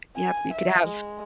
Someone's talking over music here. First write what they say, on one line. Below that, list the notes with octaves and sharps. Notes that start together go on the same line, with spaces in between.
yep, you could have
G#5
E5
G#3